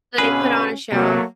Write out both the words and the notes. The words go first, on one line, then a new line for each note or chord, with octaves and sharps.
So, they put on a show?
B2 D3 C#4 G#4 B4 F5
C3 F#3 A3 A#3